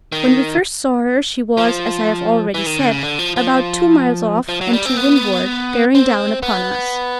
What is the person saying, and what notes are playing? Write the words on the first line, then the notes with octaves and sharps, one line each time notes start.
When we first saw her, she was, as I have already said, about two miles off and to windward, bearing down upon us.
D#3
F3
E3
D#3
D3
C#3
D3
F3
F3
F3
F#3
G3
C4
B3
C4
B3